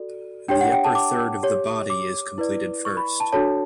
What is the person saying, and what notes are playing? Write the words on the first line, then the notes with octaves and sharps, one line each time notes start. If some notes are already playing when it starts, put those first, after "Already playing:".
The upper third of the body is completed first.
Already playing: F#4 A4 D5
D4 G4 C#5 G5
F#5
G5
A5
D6
G4 C#5
D6
E4 B4 D5
C#6
B5
A5
D4 F#4 A4 C#5 A5